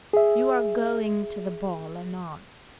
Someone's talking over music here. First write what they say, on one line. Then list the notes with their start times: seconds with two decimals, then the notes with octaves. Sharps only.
You are going to the ball anon. . . .
0.13 G#4 E5